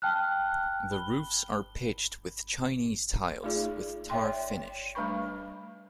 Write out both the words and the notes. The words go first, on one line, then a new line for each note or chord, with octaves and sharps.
The roofs are pitched with Chinese tiles with tar finish.
G5 A5 F6 F#6
B5 G7
A3 D#4 F4 G#4 D5
C#5 D5 E5 G5 C6
G3 A3 D4 B4 B5 C#6